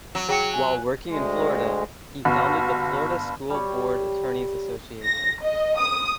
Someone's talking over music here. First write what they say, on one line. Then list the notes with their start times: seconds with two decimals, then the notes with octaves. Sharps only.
While working in Florida, he founded the Florida School Board Attorney's Association.
0.15 F#3
0.29 F#3 G#4 G5 C#7
0.54 G#5
1.09 D2 G#3
2.25 G1 F#4
3.50 G3 C#5
5.05 A#6
5.43 D#5
5.79 D#6